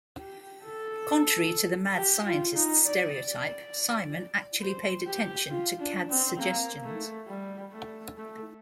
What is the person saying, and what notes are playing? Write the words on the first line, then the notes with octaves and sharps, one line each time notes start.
Contrary to the mad scientist stereotype, Simon actually paid attention to Cad's suggestions.
G4
A4
G4
F4
D#4
D5
D5
C5
G4
F4
D4
C4
A#3
A3
G3
A3
A3